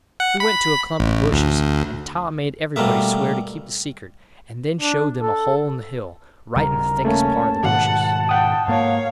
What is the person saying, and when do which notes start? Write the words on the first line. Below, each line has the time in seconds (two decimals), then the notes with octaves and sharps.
We went to a clump of bushes, and Tom made everybody swear to keep the secret, and then showed them a hole in the hill, right in the thickest part of the bushes.
0.20 F#5
0.40 B5
1.00 A1
1.32 D2
2.76 B2 G3 A3 A#3 E5
4.81 D4
5.22 A4
6.56 D#1 C#3 G3 A#4
7.05 A3 A#3 C#4 A5
7.64 G#2 B2 D#3 F#5
8.29 F#5 G5 D#6
8.68 G#2 A#3 C#5 F5